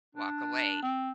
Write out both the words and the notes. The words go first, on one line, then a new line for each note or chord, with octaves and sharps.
walk away.
D4
C4